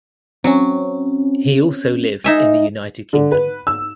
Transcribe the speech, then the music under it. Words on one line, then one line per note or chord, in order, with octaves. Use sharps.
He also lived in the United Kingdom.
F#3 C4 C#4
D#4 E5 G#5
D3
B4
E6